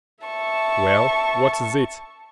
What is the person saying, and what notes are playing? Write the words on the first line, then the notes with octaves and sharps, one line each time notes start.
"Well, what is it?"
E5 A5 C#6